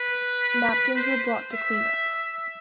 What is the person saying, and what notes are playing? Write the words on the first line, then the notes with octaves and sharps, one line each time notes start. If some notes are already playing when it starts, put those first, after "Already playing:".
Napkins were brought to clean up.
Already playing: B4
C5
E5